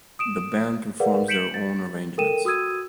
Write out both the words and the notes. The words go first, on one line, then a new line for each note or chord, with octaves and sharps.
The band performs their own arrangements.
D#6 D7 E7
G#4 A#4 B4 D5 F5 F#5
G6 B6 C#7 D7 E7 F#7
A6
A4 A#4 G5 D#7 E7
F#4 D#6 E6 G#6 D#7